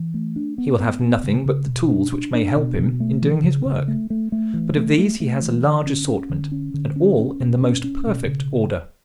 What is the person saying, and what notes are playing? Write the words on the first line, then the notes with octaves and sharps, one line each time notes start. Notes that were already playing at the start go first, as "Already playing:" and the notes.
He will have nothing but the tools which may help him in doing his work, but of these he has a large assortment, and all in the most perfect order.
Already playing: E3
A3
D4
B3
B3
B3
C#3
C#3
B2
D4
D4
D4
B2
B2
A3
E3
C#3
C#3
A3
A3
A3
E3
A3
A3
A3
E3
D3
C#4
C#4
D3
C#4
D3
C#4
C#4
B2
C#4
C#4
B2
C#3